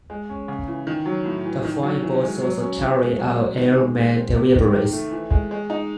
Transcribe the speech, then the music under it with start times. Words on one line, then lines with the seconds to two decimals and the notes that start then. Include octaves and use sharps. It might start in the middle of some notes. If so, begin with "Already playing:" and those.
The flying boats also carried out air mail deliveries.
0.10 G#3
0.29 C#4
0.48 C#3
0.68 E3
0.87 D#3
1.06 F#3
1.25 A2
1.45 E3
1.65 D#3
1.83 F#3
2.03 E3
2.22 G#3
2.42 F#3
2.61 C#4
2.81 E3
2.99 G#3
3.19 F#3
3.39 C4
3.58 D#3
3.77 G#3
3.95 G#3
4.15 C4
4.35 C3
4.53 D#3
4.73 D#3
4.93 A3
5.12 E3
5.30 G#3
5.51 G#3
5.70 D#4